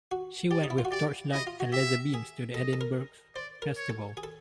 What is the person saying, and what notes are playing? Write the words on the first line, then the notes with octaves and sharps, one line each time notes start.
She went with Torchlight and Laser Beams to the Edinburgh Festival.
F#4
G4 D5
D#4
E4
F4
F#4
G4 D5
E4 D#5
F4
F#4
G4 E5
G#4
A4 D#5
A4
A#4
C5 D5
A#4
C#5
A4
G#4
A4